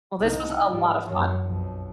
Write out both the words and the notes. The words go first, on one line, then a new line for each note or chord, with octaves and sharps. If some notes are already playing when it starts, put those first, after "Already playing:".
Well, this was a lot of fun.
C2 D#4
G#2 G3
F#2
B1 F2